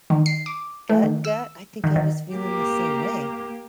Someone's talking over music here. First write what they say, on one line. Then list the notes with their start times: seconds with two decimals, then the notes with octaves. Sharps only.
gut, gut, I think I was feeling the same way.
0.10 D#3
0.26 C7
0.46 D6
0.89 A3
1.03 D#3
1.25 E6
1.84 D#3
1.96 D#3
2.34 A#3 G4